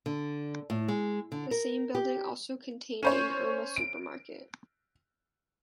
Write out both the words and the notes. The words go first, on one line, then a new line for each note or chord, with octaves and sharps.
The same building also contained an Irma supermarket.
D3
A2
G#3
D3
A#4
G4
C#4 C5 C#5
D7